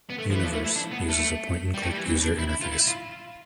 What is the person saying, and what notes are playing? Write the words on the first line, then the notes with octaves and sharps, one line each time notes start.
"Universe" uses a point and click user interface.
B3
A3
F3
E3
F3
A3
E4
D4
B3
A3
G3
A3
G3
E3
C4
D4
E4
E4
F4
E4
F4